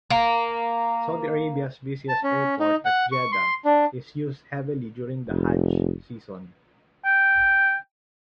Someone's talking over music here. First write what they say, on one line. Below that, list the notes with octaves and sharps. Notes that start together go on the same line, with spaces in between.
Saudi Arabia's busiest airport at Jeddah is used heavily during the Hajj season.
A#3 A#5
A5
C#4
D#4
F#5
C#6
C6
D4
F1
G5